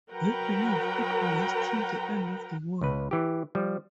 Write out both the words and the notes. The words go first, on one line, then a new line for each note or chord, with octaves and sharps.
They believe it will last till the end of the world.
F#3 A#4 B4 F#5 G5 A#5
C#2 B4
E3 G4
F3 G3